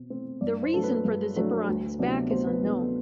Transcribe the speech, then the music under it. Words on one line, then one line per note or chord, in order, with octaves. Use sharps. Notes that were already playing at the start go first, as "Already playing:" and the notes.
The reason for the zipper on his back is unknown.
Already playing: B2 C4
A3 C4
G2 D5
C5
F#3 A3 D4 A4
B4
G2
F#3 A3 D4
D2
C3 F#3 B3 D4
D2 C5
B4
C3 F#3 B3 D4 B4
A4